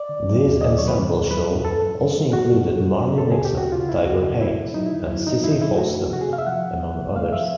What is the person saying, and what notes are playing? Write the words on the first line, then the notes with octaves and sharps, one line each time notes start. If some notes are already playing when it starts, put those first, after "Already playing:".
This ensemble show also included Marni Nixon, Tiger Haynes, and Cissy Houston among others.
Already playing: D5
D3
F#3
D#2
D#2 D#5
D5
F#3 C#5
B4
D#3
D#2
F#3 B4
D#2
F#2 A4
F#2
F#2
G3
F#2 F#4
F#2
F#2
F#2
F#3
C#3 A4
G#4
D2
G4
D2 F#4
C#3 F4
D2 E4
D2 F#4
C#3
F#2 E4
F#2
F#3 D#4
E4
D3
F#3 E4
D3 D#4
F#2 E4
D#4
F#3 E4
A3 F#4
F3
C3 F#4
G#4
C3 F5
E5
F3 F#5
F3
F3
C3
A3 F5
F3 E5